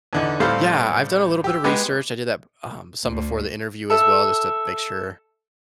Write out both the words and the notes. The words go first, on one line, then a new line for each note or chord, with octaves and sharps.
Yeah, I've done a little bit of research. I did that, um, some before the interview as well just to make sure
E2 D3 D#4
A2 G3 C4 A4 C5 F5
G4 E6
G#3 B3 G4 D6
D2
A4 E5